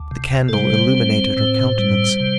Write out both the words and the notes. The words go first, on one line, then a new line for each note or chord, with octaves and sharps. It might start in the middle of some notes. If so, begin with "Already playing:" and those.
The candle illuminated her countenance.
Already playing: D2
C3
A4
G3 C5
C4
A2
G3
C3